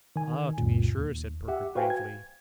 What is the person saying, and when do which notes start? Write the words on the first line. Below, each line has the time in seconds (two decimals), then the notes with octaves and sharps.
'Ah, to be sure,' said Perker gravely.
0.16 D#3 G#5
0.58 C#2 F#2 A#2
0.98 D#2
1.48 G4 E5 F#5
1.75 F#4 B4 C5 F5 G5 G#5
1.90 G#6